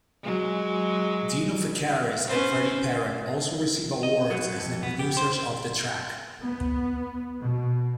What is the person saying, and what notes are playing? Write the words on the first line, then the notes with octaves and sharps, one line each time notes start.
Dino Fekaris and Freddie Perren also received awards as the producers of the track.
F#3 G#3
C#4 B4 C5
D#5
F#3
F2
B3
G4
C5
B3
B2